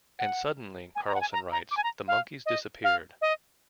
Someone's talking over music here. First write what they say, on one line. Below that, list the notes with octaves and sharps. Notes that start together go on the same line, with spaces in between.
And suddenly, Carlson writes, the monkeys disappeared.
F#5
G#5
A#5
F#5
G#5
A#5
A#5
D6
G#5
A#5
F5
D#5
F5
D#5